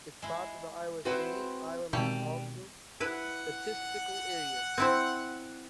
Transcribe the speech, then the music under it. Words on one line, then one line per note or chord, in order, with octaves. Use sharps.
It part of the Iowa City, Iowa Metropolitan Statistical Area.
G#3 E4
C4 E4 F#4 B4 C5 F#5
B2 D#3 E3 G3 G#3 C4 G5 A5
E4 B4 F#5
C4 E4 C5